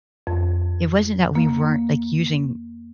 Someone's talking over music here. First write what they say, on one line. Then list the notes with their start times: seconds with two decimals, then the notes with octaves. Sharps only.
it wasn't that we weren't, like, using
0.27 F2
1.35 A#3